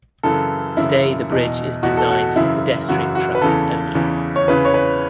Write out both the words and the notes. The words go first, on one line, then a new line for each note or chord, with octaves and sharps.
Today the bridge is designed for pedestrian traffic only.
F#2 C#3 E3 A4
F#2 C#3 E3 E4
E2 B2
E2 B2 F#4
A4
F#4
F#2 C#3 E3 E4
F#2 C#3 E3 F#4
F#4
B4
E2 C#3 E3 A4
E2 C#3 E3
C#5
E2 C#3 E3 B4
C#5
B4